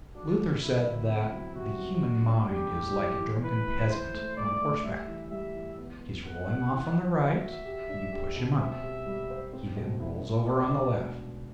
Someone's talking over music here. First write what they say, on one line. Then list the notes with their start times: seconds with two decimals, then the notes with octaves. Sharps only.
Luther said that the human mind is like a drunken peasant on horseback: he is rolling off on the right, you push him up, he then rolls over on the left.
0.15 D4 F#4
0.39 F#4
0.62 F#3 E4
0.86 D3
1.09 C4 E4
1.32 F#3
1.55 C3 F#4
1.79 F#3
2.02 D4
2.27 D4
2.49 G3 G4
2.73 A2
2.97 E3
3.20 E3
3.43 E3 B4
3.67 E3
3.90 E4 C5
4.14 A3
4.37 A3 D5
4.60 A3
4.84 G3 E5
5.07 E3
5.31 G3 E5
5.54 E3
5.78 B3
6.01 B3
6.24 B3 F#5
6.48 B3
6.72 E3
6.95 E3
7.18 F#4 E5
7.42 F#4
7.65 G4
7.89 D4
8.12 G4
8.36 B2
8.59 C4 E5
8.83 G4
9.06 G3
9.30 C5
9.53 C4
9.77 B2
10.00 E4
10.24 E4
10.47 B2 D5
10.71 D4
10.94 B2